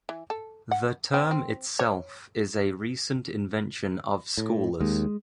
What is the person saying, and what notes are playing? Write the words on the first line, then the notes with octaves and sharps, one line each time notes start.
The term itself is a recent invention of scholars.
E3
A4
F#5
C4
C4
C#5
A2
D#2 G#3